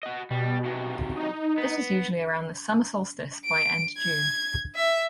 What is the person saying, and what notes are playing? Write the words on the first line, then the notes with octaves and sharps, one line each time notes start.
This was usually around the Summer solstice by end June.
F#4 D#5
B2 G3
C3 F#3
D#4
B3
D7
G#6
E5